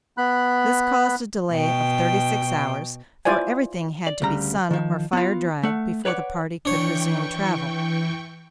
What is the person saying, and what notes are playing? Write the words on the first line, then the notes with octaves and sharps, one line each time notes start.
This caused a delay of thirty-six hours, for everything had to be sun or fire dried before the party could resume travel.
B3 B5 F#6
B2 G5
E4 F4 C5 D5 G#5
D5
D2 C#3 G3 A#5
D#3 F3
B3 F4
A3 F#5
B4 C#5 D5 F#5
E3 D4 C#5 G5 C#6